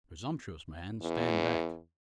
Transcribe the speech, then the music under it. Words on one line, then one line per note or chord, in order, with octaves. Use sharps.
Presumptuous man, stand back.
E2